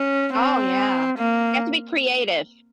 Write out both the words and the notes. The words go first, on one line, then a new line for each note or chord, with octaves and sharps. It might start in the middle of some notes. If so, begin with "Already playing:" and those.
Oh, yeah, you have to be creative.
Already playing: C#4
C4
A#3